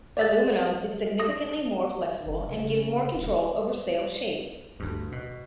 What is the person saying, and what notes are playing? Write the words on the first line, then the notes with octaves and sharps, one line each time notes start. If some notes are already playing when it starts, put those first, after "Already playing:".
Aluminum is significantly more flexible and gives more control over sail shape.
D5 E5 A6
D#6 A#6
F#1
C#3
D#1
D2 G2
B2